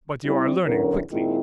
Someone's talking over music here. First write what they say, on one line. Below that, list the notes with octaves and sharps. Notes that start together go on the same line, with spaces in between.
"But you are learning quickly."
G3 C4 E4
E2 A2 D3 F#3 C#4 A#4
A#2 D#3 G#3 C4 E4 F4